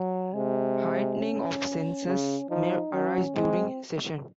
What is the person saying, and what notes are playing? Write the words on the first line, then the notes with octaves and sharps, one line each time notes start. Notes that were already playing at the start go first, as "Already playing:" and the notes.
Heightening of senses may arise during sesshin.
Already playing: F#3
C3 G#3
C#4
C#3 C#4
F3 D#4
F#3 C#4
G#3 C4